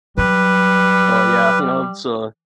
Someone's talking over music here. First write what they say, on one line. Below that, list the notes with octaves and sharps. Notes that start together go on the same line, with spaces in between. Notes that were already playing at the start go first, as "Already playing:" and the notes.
oh, yeah. You know, it's, uh
F#3 G3 B4